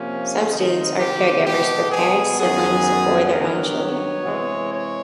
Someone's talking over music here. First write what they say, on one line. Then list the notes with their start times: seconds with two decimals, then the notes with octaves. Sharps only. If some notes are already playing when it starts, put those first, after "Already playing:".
Some students are caregivers for parents, siblings, or their own children.
Already playing: C3 F3 A#3 C#4
0.51 C3 D#3 G#3 D#4
0.98 G4
1.45 B2 G#3 B3 G4
1.91 G#4
2.37 F#2 D#3 F#3 B3 G#4
3.31 G2 D#3 F#3 B3 A#4
3.78 C#5
4.24 C3 E3 G#3
4.71 C#5